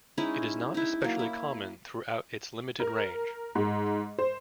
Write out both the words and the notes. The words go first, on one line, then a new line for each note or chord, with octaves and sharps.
It is not especially common throughout its limited range.
G#3 C#4 D#4 E4
D#4 E4
F#3 A#3
E4
A#4
G#2
C5